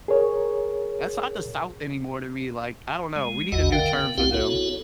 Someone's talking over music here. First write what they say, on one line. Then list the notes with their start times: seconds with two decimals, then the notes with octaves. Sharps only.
That's not the South anymore to me. Like, I don't know. We need a new term for them.
0.08 G#4 A#4 C#5
3.16 G#3
3.52 A1 E2 F#4 D#5 F#5
3.72 D3 A#4 F5 G5
3.93 B3
4.18 C2 C4 E4 G4 F5 F#5
4.34 B3 E4 F#4 A4 C#5